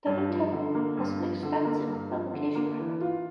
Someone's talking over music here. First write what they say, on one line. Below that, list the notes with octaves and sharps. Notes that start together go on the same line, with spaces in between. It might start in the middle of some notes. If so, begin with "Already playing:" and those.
Devin Terhune has an extensive publication record.
G2
F3
D3
A#3
G2
F3
D3
A#3
G2
F3
D3
A#3
E3
F4